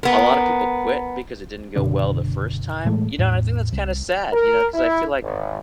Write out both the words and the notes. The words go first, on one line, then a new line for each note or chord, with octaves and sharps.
a lot of people quit because it didn't go well the first time. You know, and I think that's kinda sad, you know, 'cause I feel like
B3 A#4
F#1 B2 D3 D4
A2 E3 G#3 A3
E2 A2
C2
A#4
E4
G#1